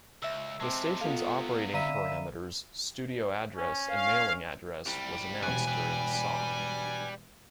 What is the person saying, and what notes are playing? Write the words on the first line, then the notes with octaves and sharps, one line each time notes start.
The station's operating parameters, studio address and mailing address was announced during the song.
C#2 E5 E6
C3 G#3 C4 A5 C6 D6
B3 F4 A4 F5
D3 D5 E5 F5 A#5 B5 D#7
C#4
F5
C2 G3
E1 G#5 F#6
G3 B4